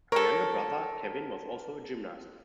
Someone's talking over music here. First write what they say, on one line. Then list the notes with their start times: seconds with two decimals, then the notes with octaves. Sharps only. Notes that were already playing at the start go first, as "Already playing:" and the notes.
Her younger brother, Kevin, was also a gymnast.
0.12 A4 A#4 C#5